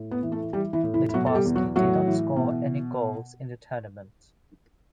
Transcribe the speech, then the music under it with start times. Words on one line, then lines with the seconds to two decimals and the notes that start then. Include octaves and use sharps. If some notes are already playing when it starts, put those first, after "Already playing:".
Littbarski did not score any goals in the tournament.
Already playing: A2
0.11 B3 B4
0.22 E3
0.32 A3 A4
0.53 E3 G3 G4
0.73 E3 E4
0.83 A2
0.94 E3 E4
1.09 E4
1.14 B2 F#3 F#4
1.26 A4
1.34 G3 G4
1.45 E2
1.55 F#3 F#4
1.76 A2 F#3 F#4
2.07 E3
2.36 B2